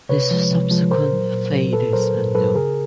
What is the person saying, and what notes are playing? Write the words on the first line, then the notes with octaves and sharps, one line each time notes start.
His subsequent fate is unknown.
C3 B4 C#5
F3 G#3
C3
F3 G#3
A#2 A#4 C5
F#3
A#2
F#3
A#2 A4 B4
F#3 A#4 C5
A#2
F#3 A4 B4
C#3 G#4 A#4